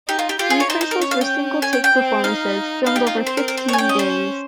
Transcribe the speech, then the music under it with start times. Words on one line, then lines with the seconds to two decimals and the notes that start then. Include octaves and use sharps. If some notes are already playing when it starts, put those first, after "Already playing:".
Rehearsals were single-take performances, filmed over fifteen days.
0.08 D#4 G4
0.19 F4
0.29 G4
0.39 F4 G4
0.50 G#4
0.60 C#5
0.70 D#4 C5
0.81 C5
0.91 A#4
1.01 C#4 C#5
1.11 F5
1.21 G5
1.62 G#5
1.73 G5
1.84 G5
1.94 C4
2.24 D#4 F5
2.86 D#4 F5
2.96 G4
3.07 F4
3.17 C4
3.27 C5
3.37 A#4
3.48 A#4
3.57 C5
3.68 C#5
3.73 G#5
3.78 C#4 G5
3.89 D#5
3.99 C5